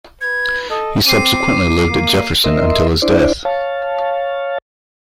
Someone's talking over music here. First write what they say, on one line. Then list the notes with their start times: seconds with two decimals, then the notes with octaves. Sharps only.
He subsequently lived at Jefferson until his death.
0.21 B4 G#6
0.70 A4 D#5
1.06 C4 D6 C7 D#7
1.90 A#3
2.44 A#4 D#5 E5 C6
3.02 D4 E4 C5 D5
3.45 C#5 F5 A5